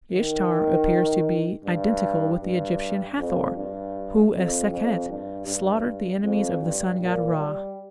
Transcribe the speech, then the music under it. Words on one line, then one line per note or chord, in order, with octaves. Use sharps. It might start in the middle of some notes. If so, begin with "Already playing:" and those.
Ishtar appears to be identical with the Egyptian Hathor, who, as Sekhet, slaughtered the enemies of the sun god Ra.
D#3
G2
G2
F2
G2
F2
F2
G2
G2
F2
G2
A#2
G3